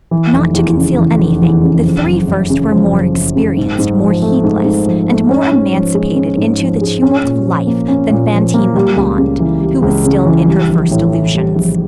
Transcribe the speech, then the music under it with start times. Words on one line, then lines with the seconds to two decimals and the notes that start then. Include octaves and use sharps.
Not to conceal anything, the three first were more experienced, more heedless, and more emancipated into the tumult of life than Fantine the Blonde, who was still in her first illusions.
0.11 E3
0.33 F1
0.54 E2
0.77 C#3
0.98 E3
1.20 F1
1.42 E2
1.63 C#3
1.85 F3
2.05 F#1
2.28 F#2
2.50 C#3
2.71 F3
2.92 F#1
3.14 F#2
3.36 C#3
3.57 G#2
3.79 G#2
4.01 F3
4.22 A3
4.44 G#2
4.64 G#2
4.86 F3
5.08 A3
5.30 C#4
5.52 G#2
5.72 F3
5.94 G#3
6.15 C#4
6.37 G#2
6.59 F3
6.81 G#3
7.02 C#4
7.24 A#2
7.46 F3
7.67 A#3
7.88 C#4
8.10 A#2
8.32 F3
8.54 A#3
8.75 G3
8.96 C#2
9.18 C#3
9.40 E3
9.61 G3
9.82 C#2
10.04 C#3
10.26 E3
10.47 G3
10.69 A#1
10.91 A2
11.12 E3
11.35 G3
11.55 A#1